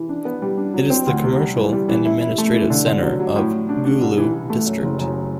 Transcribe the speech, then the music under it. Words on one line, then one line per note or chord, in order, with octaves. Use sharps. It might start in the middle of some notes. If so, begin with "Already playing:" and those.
It is the commercial and administrative centre of Gulu District.
Already playing: E3
D4
B3
G3
D4
F#3
C4
D2
C3
G3
E3
G3
E3
E4
E4
A3
E3
D3
D3
F#3
F#3
A2
A2
D4
D4
C2
E3
E3
A3
F#2
F#1
F#2